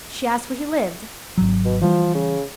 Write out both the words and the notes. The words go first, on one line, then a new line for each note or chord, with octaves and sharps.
She asked where he lived.
G#1 F#3
B2
E3 F3 G3
C#3